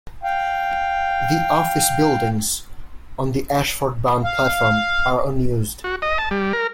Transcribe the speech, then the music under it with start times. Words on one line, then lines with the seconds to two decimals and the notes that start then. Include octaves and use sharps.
The office buildings on the Ashford-bound platform are unused.
0.23 F5 G5
4.24 F5
5.84 F#4
6.02 D#5
6.18 A5
6.31 G3
6.53 A#4